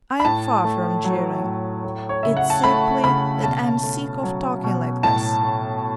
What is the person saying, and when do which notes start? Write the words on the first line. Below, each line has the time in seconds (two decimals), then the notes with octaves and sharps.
I am far from jeering; it's simply that I'm sick of talking like this.
0.20 B5
0.25 A2 A5
0.64 A3
1.04 F#3
1.44 A2
1.84 A3
2.09 C#5
2.23 C#3 E5
2.37 F#5
2.50 A5
2.64 A3 B5
3.04 C#3 B5
3.43 B2 A5
3.83 A3
4.23 F#3
4.63 B2
5.03 A2 A5
5.43 A3